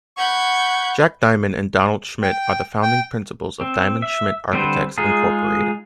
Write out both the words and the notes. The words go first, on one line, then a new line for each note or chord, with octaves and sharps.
Jack Diamond and Donald Schmitt are the founding principals of Diamond Schmitt Architects Incorporated.
F#5 B5 C#6 G6 G#6
G5
G5
C4
E5
D3 G3 C4 B4 C5
G#3 D#4 F4 G#4